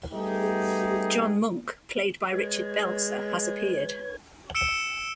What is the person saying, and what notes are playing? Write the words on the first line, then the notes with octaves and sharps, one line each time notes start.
John Munch, played by Richard Belzer, has appeared.
G3 A3 B3 D#4 G4 G#4
G#3 B4 C#5 G#6
E6 C#7 D7 E7 G7